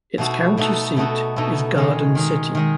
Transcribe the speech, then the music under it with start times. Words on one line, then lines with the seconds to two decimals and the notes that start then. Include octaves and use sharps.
Its county seat is Garden City.
0.18 B2 A3 D#4 F#4 A4
0.57 B2 A3 D#4 F#4 A4
0.96 B2 A3 D#4 F#4 A4
1.36 B2 A3 D#4 F#4 A4
1.75 D#3 G#3 D#4
2.15 D#3 G#3 D#4
2.55 D#3 G#3 D#4